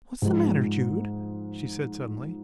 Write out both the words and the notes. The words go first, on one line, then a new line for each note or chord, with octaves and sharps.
"What's the matter, Jude?" she said suddenly.
G#2 F3 G#3 D#4